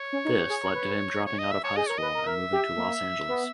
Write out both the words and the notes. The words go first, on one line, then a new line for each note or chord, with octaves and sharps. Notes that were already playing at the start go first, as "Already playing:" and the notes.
This led to him dropping out of high school and moving to Los Angeles.
Already playing: C#5
C#4
D#4
G4
G#4
A#4
B4
C#5
D#5
E5
C#5
G#4 D#5
A#4 C#5
B4 D#5
A#4
A#4 E5
G4
A#3
B3